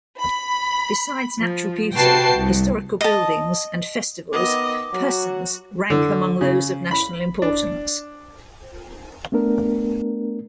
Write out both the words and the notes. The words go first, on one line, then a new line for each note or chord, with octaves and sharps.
Besides natural beauty, historical buildings and festivals persons rank among those of national importance.
B5
F3
C3 F#4 B4 G5 A5 C7
C2
D#5 A5
D#3 B3 D#5 D6
F#3 F#4
D3
C#3
B5
D4
A3 B3 D4 A#4